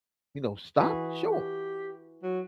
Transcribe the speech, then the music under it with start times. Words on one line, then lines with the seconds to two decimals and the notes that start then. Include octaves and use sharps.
you know, stopped? Sure,
0.78 E3 F#4 G#4 B4
1.32 G4
2.23 F#3